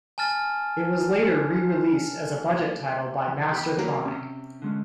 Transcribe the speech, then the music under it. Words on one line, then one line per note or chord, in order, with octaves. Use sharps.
It was later rereleased as a budget title by Mastertronic.
G#5 A5 F6 A6
E3
E2 G4 B5
D#2 F#3 G3 A#3 A#5
C3 C#4
D3 G#3 C#4